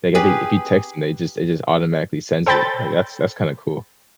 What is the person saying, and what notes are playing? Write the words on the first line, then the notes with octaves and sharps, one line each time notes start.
like, if they if you text them, they just it just automatically sends it, like, that's that's kinda cool,
G4 G#4 B4
A4 C5 G5 B5 G6 A6